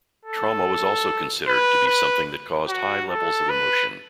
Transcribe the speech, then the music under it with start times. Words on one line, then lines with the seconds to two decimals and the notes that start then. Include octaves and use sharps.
Trauma was also considered to be something that caused high levels of emotion.
0.25 A4
1.48 B4
1.87 B4
2.68 F#4
3.09 A4
3.49 B4